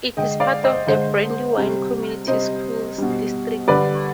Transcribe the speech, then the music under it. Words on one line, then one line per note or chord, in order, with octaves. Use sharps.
It is part of the Brandywine Community Schools district.
D3 G#3 D#5 G5
D5 F5
C5 D#5
D3 G#3 C5 D#5
C3 G3
C3 G3 C5 D#5
B2 G3
D3 G3 B4 D5